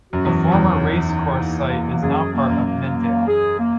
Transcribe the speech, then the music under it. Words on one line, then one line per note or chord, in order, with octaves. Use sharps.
The former racecourse site is now part of Midvale.
F#2 F#4
E2
F#3
E2
D#4
D#4
A#3
A#3
E2
F#2 G#4
A#3
F#2
A#3
A#3
G#4
A#3